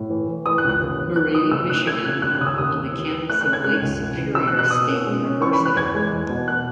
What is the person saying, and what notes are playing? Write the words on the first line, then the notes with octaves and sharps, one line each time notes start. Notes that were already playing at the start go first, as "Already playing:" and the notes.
Marie, Michigan on the campus of Lake Superior State University.
Already playing: A2
E3
E3
E3 D#6
F#6
C#2
F#6
D#2
B3
B3 F#6
D#3 D#6
C#3 E6
E3 F#6
A3 G#6
C#3 F#6
D#2 F#6
F#6
C#3 D#6
E6
D#2 D#6
D#2
E3
E3
A3 F#6
F#6
C#4
G#6
G#3 F#6
C#2
C#3
E3
B2 E6
F#6
B2
F#6
B2 D#6
C#4
G#3
C#4
E3 C#6
B5
E3
F#6
E2 G#6
G#3
E2
B2
B3 F#6